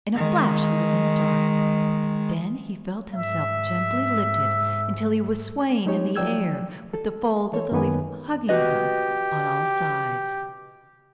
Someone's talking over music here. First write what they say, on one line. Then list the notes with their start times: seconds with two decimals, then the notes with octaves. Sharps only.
In a flash he was in the dark. Then he felt himself gently lifted until he was swaying in the air, with the folds of the leaf hugging him on all sides.
0.15 D#3 G#3
3.14 G#2 E5
5.86 G3 G#3 D#4 G4 C#5
6.16 F3 F#3 D5 G5 E6 G#6
6.93 A4
7.53 E3 A4 C#5
7.72 F#2 D#3 A#3 B3 B4 G#5
8.49 F#4 G4 B4 D#5